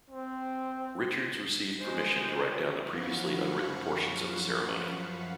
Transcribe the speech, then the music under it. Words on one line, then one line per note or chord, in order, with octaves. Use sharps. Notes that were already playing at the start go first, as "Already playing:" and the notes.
Richards received permission to write down the previously unwritten portions of the ceremony.
C4
G#3 C5
F#2 F3 F5 F#5 B5 C#6